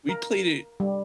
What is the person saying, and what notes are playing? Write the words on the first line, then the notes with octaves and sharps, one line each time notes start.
We played it
A#4
G3